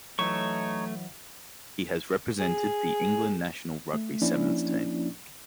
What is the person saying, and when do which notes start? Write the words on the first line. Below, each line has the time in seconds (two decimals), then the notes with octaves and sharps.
He has represented the England national rugby sevens team.
0.19 E3 F#3 A3 D#4 C#5 E5 C#6
2.40 G#4
3.93 A3
4.22 F3 A#3 C#4 D4 E4 D5